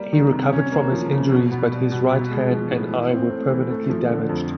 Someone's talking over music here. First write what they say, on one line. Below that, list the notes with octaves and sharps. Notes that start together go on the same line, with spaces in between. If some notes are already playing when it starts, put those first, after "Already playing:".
He recovered from his injuries, but his right hand and eye were permanently damaged.
Already playing: G3 A#3
D#3
C3
C#4
A#3
F3
C#3
B2
B3
G3
B2
B3
G#3
F3
A2
E3
C4
A3
E3
A3
F3
D3
F2